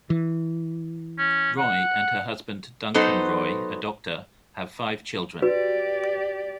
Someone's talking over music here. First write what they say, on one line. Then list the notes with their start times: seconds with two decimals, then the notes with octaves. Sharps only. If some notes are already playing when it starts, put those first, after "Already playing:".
Roy and her husband Duncan Roy, a doctor, have five children.
0.10 E3
1.19 C#4
1.58 F#5
2.94 F#3 B3 D#4 A4 B4 C5
5.42 F#4 G4 B4 D5